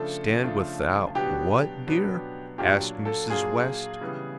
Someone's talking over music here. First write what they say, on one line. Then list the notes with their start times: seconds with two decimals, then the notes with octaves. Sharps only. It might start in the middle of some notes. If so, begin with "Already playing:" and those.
"Stand without what, dear," asked Mrs. West.
Already playing: C#3 F3 A3 D4 F4 A4
0.44 C#3 F3 A3 D4 F4
1.15 B2 F#3 B3 D4 G4
1.87 B2 F#3 B3 D4
2.58 A#2 F#3 A#3 D4 F4 G4
3.05 A4
3.30 A#2 F#3 A#3 D4 F4 G#4
4.01 C#3 E3 G3 B3